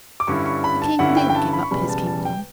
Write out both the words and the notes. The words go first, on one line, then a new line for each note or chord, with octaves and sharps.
The King did give up his kingdom.
D6
G2 D3 G3 C#4 E4 C#6
C#6
B5
A5
G2 D3 G3 C#4 E4 F#5
G5
G5
A5
B5
C#6
E1 E2 C#3 E3 G3 B5
A5
A5
G5